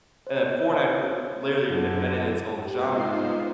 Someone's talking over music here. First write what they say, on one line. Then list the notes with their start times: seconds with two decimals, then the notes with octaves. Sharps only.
and then Fortnite pr literally invented its own genre,
0.27 C5 C#5
1.67 F#2 D3
2.65 G#3 B3 G4 C5
2.96 D#4 F4 C7